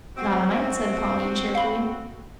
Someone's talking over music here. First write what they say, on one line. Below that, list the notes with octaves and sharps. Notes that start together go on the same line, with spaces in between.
"Not a mite," said Pauline cheerfully.
C4 F#4
F5 B5